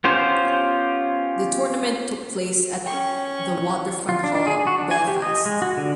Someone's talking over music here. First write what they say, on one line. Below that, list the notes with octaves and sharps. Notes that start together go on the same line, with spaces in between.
The tournament took place at the Waterfront Hall, Belfast.
B3 C#4 F4 G4 C5
C#4 G5 C#6
F4
D4
D4
G#4
F#4
D4
G#5
G4
D#5
G#3
F#4
D3